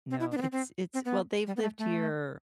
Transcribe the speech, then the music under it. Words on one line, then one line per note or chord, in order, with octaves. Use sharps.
No, it's it's Well, they've lived here,
C4
E4
D4
B3
C4
C4
C4
B3
G3
B3
A3
A3